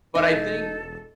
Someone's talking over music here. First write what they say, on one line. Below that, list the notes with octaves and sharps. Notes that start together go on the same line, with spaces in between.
But I think
E1 D#4 C5
A4